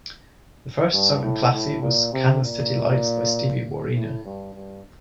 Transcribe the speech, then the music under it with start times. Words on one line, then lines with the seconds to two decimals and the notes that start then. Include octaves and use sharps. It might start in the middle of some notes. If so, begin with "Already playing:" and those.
The first song on "Classy" was "Kansas City Lights" by Steve Wariner.
0.92 G2
1.22 A2
1.52 A2
1.82 A#2
2.13 C3
2.43 A#2
3.94 A2
4.24 G2
4.54 G2